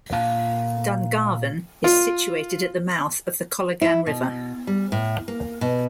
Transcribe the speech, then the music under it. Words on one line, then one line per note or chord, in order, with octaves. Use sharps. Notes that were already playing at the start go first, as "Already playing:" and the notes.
Dungarvan is situated at the mouth of the Colligan River.
A#2 F5 A5
F4
E4
B2
G3
A2
A#3
B2